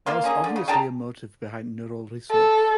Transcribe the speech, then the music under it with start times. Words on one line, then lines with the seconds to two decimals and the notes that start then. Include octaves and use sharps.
There was obviously a motive behind neutral research.
0.06 A#3 F4 F5 C6
0.24 A#3 C#4 G#4
0.44 D3
0.56 C#3
0.68 G#4 G5 A5 A#5
2.31 A4